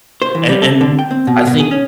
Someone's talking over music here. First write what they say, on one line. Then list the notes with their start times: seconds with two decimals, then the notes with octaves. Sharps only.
And and, I think
0.22 C5
0.35 E3
0.49 G3
0.62 A4
0.81 D3
0.99 G5
1.11 C4
1.27 B2
1.47 B2
1.60 G#4
1.71 C#4